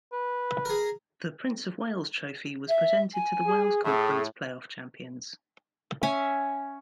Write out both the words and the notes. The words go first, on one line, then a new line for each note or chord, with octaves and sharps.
The Prince of Wales Trophy was presented to the Wales Conference playoff champions.
B4
G#4 A#4
E5
G#5
G#4
A2 A3 G#4
C#4 C#5 E5 G#5